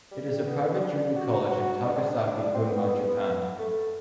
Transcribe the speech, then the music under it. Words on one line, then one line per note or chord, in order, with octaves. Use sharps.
It is a private junior college in Takasaki, Gunma, Japan.
G3
B3
C4
D4
F#4
F#4
D4
C4
D4
C4
B3
B3
B3
A3